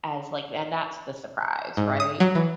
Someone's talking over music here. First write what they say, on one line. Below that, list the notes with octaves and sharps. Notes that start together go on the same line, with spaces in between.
a uh, as like and that's the surprise, right?
G#2
D#6
F#3
E3